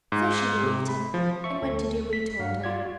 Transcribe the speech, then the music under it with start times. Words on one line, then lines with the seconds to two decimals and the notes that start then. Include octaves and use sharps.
So she believed him, and went to do what he told her.
0.12 G#2
0.63 C3
0.88 B5
1.14 F3
1.44 E5 C#6
1.62 D2 A4
2.13 B6
2.39 G2 F5 F#5
2.64 F4 D5 G#6
2.85 F#4